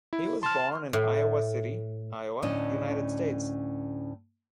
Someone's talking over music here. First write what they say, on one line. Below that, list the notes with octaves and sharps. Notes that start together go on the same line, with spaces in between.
He was born in Iowa City, Iowa, United States.
E4
A5 C6 F6
A2
D2 A2 C#4 D4 D#5